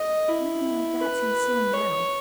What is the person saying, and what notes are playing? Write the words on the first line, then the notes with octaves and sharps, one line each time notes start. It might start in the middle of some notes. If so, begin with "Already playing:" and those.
Anything like that seems silly NOW.
Already playing: D#5
E4
B4
C#5